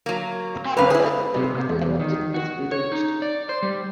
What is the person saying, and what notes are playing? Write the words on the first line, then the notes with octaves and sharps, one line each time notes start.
Tamil is the local language in this village.
F#3 A#3
F#2 D3 B4 F5
E4 G#4
C3
C3
E2
D#3
F#4
C#5
D#4
D5
C5
G3